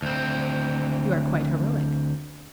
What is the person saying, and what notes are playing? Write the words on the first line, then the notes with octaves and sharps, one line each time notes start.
"You are quite heroic."
D2 C4